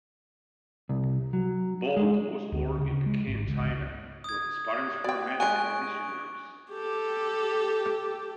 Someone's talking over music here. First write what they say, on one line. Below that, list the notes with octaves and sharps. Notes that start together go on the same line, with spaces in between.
Bolt was born in Peking, China, where his parents were medical missionaries.
C2
F#3
G#3
D2
C#3
G#3
G#1
C#2
D#6 G#6
D5 G5
G#3 G#5 C#6 F#6 D7
G4 A4